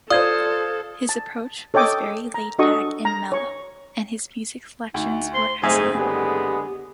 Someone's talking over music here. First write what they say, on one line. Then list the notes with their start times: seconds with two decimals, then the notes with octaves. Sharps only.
His approach was very laid-back and mellow, and his music selections were excellent.
0.10 F4 A4 C5 D5 D#6 G#6
1.09 A5
1.74 A4 C#5 D#5 G5 D6 D#6
2.34 A#5
2.59 D4 F#4 A4 D#5 C#6 D#6
3.05 A#5
3.32 C#5 C#6
4.94 D2 D#4
5.33 C5 C6
5.64 F#1 G#2 A3 C4 G#4 E5 G#5
5.95 D3 G#3 B3 G4